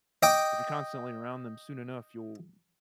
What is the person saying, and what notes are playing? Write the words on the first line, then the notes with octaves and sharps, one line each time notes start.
if you're constantly around them, soon enough you'll
D#5 G5 D6